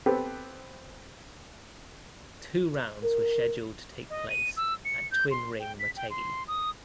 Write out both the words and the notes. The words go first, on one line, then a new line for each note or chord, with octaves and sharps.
Two rounds were scheduled to take place at Twin Ring Motegi.
B3 C4 G4 A4 B4
A#4
D#5
D#7
E6
C#7
G6
C6
G5
B6
G5
C6
D#6